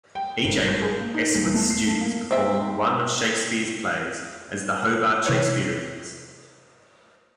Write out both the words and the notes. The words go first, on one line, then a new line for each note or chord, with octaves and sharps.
Each April, Esquith's students perform one of Shakespeare's plays as "The Hobart Shakespeareans".
G5
G#1
G6
G#4
A#3
D#4
D#1
A3
C7
A3
A#3
C4 E5
C3 E3 B4 C#5 F#6